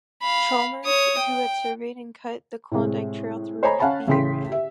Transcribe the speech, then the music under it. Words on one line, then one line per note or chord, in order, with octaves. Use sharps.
Chalmers, who had surveyed and cut the Klondike Trail through the area.
F5 B5
C#5 D#6
G5
A2 C3 G#3
C5 C#5 D#5 G#5 A#5 B5
C#4 F5 F#5 G#5 A5 B5
A1 C#3 E4 G5 C6 B6
G4 E5